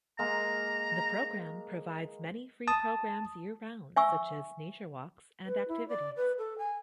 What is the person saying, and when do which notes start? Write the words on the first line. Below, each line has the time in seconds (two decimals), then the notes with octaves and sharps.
The program provides many free programs year-round, such as nature walks and activities.
0.19 G#3 A#3 A#5
2.68 A5 D#6
3.96 E5 G#5 C#6 E6
5.46 B4
5.68 E4
5.89 D5
6.17 B4
6.38 A4
6.58 G#5